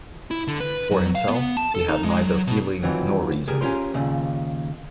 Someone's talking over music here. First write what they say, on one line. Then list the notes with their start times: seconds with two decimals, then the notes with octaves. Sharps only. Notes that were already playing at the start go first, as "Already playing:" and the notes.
For himself, he had neither feeling nor reason.
0.31 E4
0.48 D3
0.60 B4
0.91 F#3
1.15 F5
1.28 B3
1.57 A5
1.75 A4
1.89 D#4
2.05 G#3
2.21 F#3
2.47 B2
2.83 F2 D#3 E3 F#3 C4
3.48 G4 G#4 A#4
3.61 C#4 F4 G4 A#4 C5
3.94 D#2 A#2 C#3